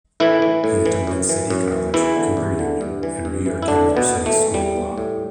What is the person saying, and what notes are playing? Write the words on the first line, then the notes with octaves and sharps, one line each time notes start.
He attended City College, Cooper Union, and New York University School of Law.
A2 E3 E4
E3
A2
E3
F#2
E3
F#2
E3
E2 E3 E4
D3
E2
D3
G2
E3
G2
E3
E4
A2 D3 D4
E3
B2 B3
A2
A3
E3
A2 G3
E3
A2